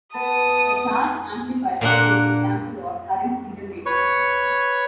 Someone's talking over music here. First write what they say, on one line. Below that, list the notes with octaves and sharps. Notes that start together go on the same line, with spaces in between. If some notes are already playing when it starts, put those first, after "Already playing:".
A charge amplifier is an example of current integrator.
B3 A5 D#6
A#2 A#3 D4 F#5
B4 C#5 C#6